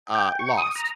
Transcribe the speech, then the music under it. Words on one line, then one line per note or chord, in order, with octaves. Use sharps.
uh, lost.
G5
C#6
D#6
A#5